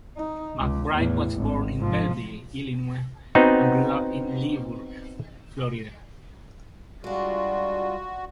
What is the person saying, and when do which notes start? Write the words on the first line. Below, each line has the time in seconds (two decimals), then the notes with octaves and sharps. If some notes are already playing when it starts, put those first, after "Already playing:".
McBride was born in Belleville, Illinois and grew up in Leesburg, Florida.
0.17 D#4
0.57 C#2
0.93 E2 A2
1.37 G#1
1.78 G#2 F3
3.35 B3 C4 D#4 F#4
7.04 G3 G#3 D4 F4 F#4